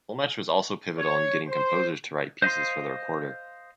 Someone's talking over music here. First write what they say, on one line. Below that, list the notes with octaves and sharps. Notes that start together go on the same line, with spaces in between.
Dolmetsch was also pivotal in getting composers to write pieces for the recorder.
C#5
C5
C5 D#5 F5 C6